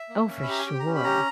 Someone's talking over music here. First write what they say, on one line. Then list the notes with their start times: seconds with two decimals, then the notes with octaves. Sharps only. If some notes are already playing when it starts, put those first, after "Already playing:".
Oh, for sure.
Already playing: E5
0.09 A#3
0.29 C#4
0.43 B5
0.48 G4 A#5
0.58 G#5
0.66 G4 G5
0.80 A#5
0.86 C#4
0.95 B5
1.04 G4 A#5